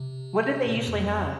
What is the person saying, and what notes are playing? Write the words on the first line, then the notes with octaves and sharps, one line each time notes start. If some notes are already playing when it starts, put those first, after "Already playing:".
What do they usually have?
Already playing: C3
A#2
F2
F2